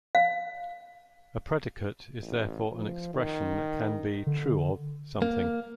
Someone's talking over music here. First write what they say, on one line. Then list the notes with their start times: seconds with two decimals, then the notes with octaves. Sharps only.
A predicate is therefore an expression that can be "true of" something.
0.15 F5
2.22 A1
2.73 F3
3.14 D#3
4.27 D3
5.22 A#3